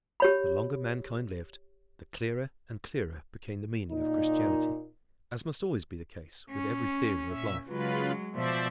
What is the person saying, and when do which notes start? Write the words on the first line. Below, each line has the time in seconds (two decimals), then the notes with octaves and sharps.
The longer mankind lived, the clearer and clearer became the meaning of Christianity, as must always be the case with every theory of life.
0.20 G4 C#5 B5
3.91 A#2 D#4
6.51 C#4
7.28 A#2 E5
7.68 C#3 F#3 G#3 F4 B4
8.35 B2 F3 C5 D5 E5